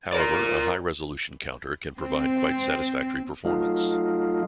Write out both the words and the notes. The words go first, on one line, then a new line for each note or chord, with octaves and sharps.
However, a high-resolution counter can provide quite satisfactory performance.
A#4 D5
C4
F#3 A3 D#4 F4